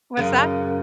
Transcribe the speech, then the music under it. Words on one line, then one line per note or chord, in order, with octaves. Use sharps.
What's that?
F#2 C#3